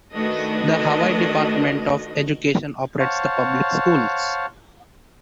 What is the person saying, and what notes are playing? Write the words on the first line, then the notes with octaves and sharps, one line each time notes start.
The Hawaii Department of Education operates the public schools.
D#3 A3 D4 F#4 B4 D#5
C5 C#5 F5 F#5 A5